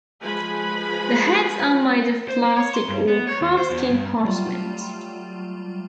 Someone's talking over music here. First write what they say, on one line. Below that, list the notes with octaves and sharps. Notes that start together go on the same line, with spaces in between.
The heads are made of plastic or calfskin parchment.
F3 G#3 B4 G#5 B5
C5
A#3
C#5
C6
G2
B3
C#5
D#2
C5
E2
G2
F#3 G3 A3 F4